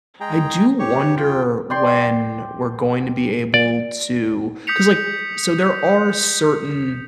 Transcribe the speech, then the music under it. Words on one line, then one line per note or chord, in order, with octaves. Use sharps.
I do wonder when we're going to be able to 'cause like so, there are certain
G#3 G#4 G5 A#5
G4 C#5 C#6
F4 G5
D5 G5 C6
D5
D#6 G6 B6 C#7 F7